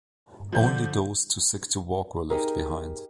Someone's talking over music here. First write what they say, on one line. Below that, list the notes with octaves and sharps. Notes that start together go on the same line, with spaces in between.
Only those too sick to walk were left behind.
D3 F3 G6
D#4 G4 G#4 A#4